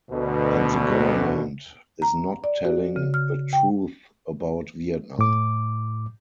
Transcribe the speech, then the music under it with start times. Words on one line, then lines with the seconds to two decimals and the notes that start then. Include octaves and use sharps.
And the government is not telling the truth about Vietnam.
0.11 D2 B2
2.02 A#5
2.44 D5
2.65 F#4
2.96 C#3
3.14 F6
3.53 G5
5.19 A2 D6